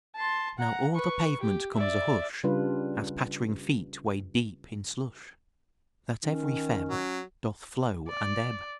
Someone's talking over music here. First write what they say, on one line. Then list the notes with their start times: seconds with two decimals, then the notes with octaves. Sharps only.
"Now o'er the pavement comes a hush As pattering feet wade deep in slush That every Feb. Doth flow and ebb."
0.16 A5 C6
0.58 F#5 A#5
0.95 B4 C#6
1.41 G4
1.75 D5 E5
2.44 C#3 G3 D4 F4 B4
6.25 D#3 C#4
6.89 F#3
8.08 D5